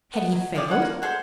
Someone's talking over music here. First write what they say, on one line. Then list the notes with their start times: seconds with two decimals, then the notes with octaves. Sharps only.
Had he failed?
0.14 B3
0.32 F#3
0.55 C3 F3 G#4 D5
0.68 E3 C#4 F#5
0.82 A#3
1.02 F#4 G#4 A4 C5